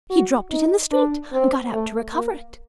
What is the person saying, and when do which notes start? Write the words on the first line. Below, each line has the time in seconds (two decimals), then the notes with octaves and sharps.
He dropped it in the street, and got out to recover it.
0.10 F#4
0.51 D#4
0.92 D4
1.32 C4
1.72 A3
2.13 A#3